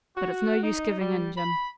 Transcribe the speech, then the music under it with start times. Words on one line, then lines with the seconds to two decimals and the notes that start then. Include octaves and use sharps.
But it's no use giving in, Jim.
0.16 F#4
0.63 D#4
0.99 G3
1.37 B5